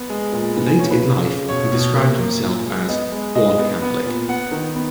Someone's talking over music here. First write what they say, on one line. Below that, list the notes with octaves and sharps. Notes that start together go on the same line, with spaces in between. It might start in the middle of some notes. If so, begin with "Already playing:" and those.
Late in life, he described himself as "born Catholic".
Already playing: B3
G#3
A#2
B3
G#5
C#3 C#5
B4
C#3
C#3
B2 C#5
B2
A#3
A#3
A#2
G#3
B3 D#5
G#3
G#3 D#5
B3
B3
A#2
B3 F#5
D#3
B3